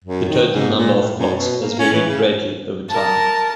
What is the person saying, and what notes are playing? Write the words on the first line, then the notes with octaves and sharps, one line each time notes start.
The total number of plots has varied greatly over time.
F#2
D#3
G#2
A#2
A2
F#2
B2
A#3
C#4
E3
C#3
A#4 A5